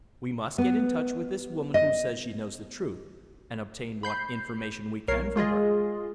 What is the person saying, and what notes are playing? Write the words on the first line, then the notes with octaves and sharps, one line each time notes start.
We must get in touch with this woman who says she knows the truth, and obtain what information we can from her.
B3
D#5
B5 G6 C7
B1 A#4 C#5 C7
G#3 F4 G#4 D#5